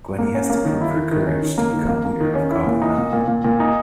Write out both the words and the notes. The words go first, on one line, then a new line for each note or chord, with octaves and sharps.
Gwenny has to prove her courage to become leader of Goblin Mountain.
A#3
C#4
A#3
D#3
E4
D#3
D#3
C#4
D#3
A#3
D#3
A#3
A#3
D#3
C#4
E4
A#2
D#4
A#2
A#2
A#2
A#2
D#4